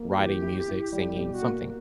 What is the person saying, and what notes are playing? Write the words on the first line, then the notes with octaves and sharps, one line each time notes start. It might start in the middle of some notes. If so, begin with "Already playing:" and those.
writing music, singing, something,
Already playing: A#3
F#4
E3 G4
E4
E4
G3
B2 G4
F#4
A#3